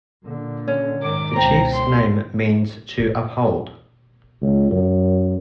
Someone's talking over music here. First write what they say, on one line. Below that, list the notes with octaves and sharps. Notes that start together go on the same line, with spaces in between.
The chief's name means to uphold.
A#2 D3
C#4
G#2 D#3 D6
C#2 B2 C4 A#5
C6
C#2
F#2